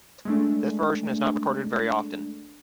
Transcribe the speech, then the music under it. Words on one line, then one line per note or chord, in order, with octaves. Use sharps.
This version is not recorded very often.
G#3 A3 D4